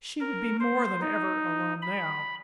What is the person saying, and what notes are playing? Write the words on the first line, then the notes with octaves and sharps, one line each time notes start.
She would be more than ever alone now.
A#4
C5
D#4
B5